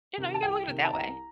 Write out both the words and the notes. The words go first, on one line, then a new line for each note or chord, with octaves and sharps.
You know, you gotta look at it that way.
C3 D#3
A5
C2 G5
C3 D#3
A5
C2 A#5